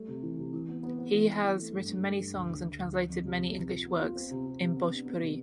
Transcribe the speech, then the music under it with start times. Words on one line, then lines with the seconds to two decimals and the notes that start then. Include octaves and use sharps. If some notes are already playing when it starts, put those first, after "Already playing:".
He has written many songs and translated many English works in Bhojpuri.
Already playing: G3 A3
0.08 C3
0.23 E3
0.38 C3
0.53 E3
0.69 B3
0.83 B3
0.99 B3
1.14 E3
1.29 C4
1.44 E3
1.59 A3
1.74 G2
1.89 G2
2.04 A3
2.20 G2
2.34 D2
2.50 D2
2.65 D3
2.80 D2
2.95 F3
3.10 F2
3.25 C3
3.40 F2
3.55 C3
3.71 F4
3.86 B3
4.01 F4
4.15 C4
4.31 C3
4.46 C3
4.61 C3
4.76 B3
4.91 D4
5.06 B3
5.21 C3